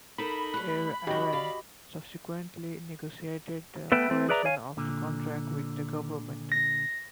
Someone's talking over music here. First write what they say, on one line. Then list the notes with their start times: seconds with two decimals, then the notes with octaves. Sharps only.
Aer Arann subsequently negotiated the operation of the contract with the Government.
0.18 D#4 A4 A#4 B5
0.54 G3 A3 F#6
1.07 C#3 F#3 F#4 G4 D#5
1.33 D5 F5
3.92 A3 B3 B4 E5 G5
4.10 A3 C4
4.29 G#4 B4 D5 E5 A#5
4.45 C#5 F5 G#5
4.77 A#2 D3
6.52 A#6